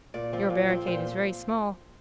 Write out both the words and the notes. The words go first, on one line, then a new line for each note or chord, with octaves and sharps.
Your barricade is very small.
A#2 D5
F3 C4
A#2
F3 C4
A#2 C5